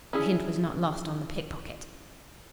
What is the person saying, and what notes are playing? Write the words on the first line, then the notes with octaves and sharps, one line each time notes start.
The hint was not lost on the pick-pocket.
C#4 D4 E4 G#4